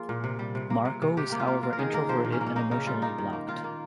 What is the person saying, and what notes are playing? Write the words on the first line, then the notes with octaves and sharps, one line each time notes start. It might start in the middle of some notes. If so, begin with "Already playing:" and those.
Marco is however introverted and emotionally blocked.
Already playing: F3 A#3 F4 G#4
A#2
C3
G3
C3
A#3
C3
C3
C3 G4
A#3 G4
F4
A#3
A#3 F4
A#4
D#3 G#4
A#3 A#4
F3 C5
A#2
C#4
A#3
C#4
A#3 D#4
C#3 D#4
G3 F4
A#3 D#4
D#3
A#3
D#3 F4
A#3